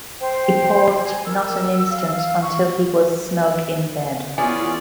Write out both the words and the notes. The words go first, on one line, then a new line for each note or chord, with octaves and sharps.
He paused not an instant until he was snug in bed.
C5 G5
G#5
A#4 E6
F5
C#6
E3 B3 C#4 F4 G#4 D5 G#5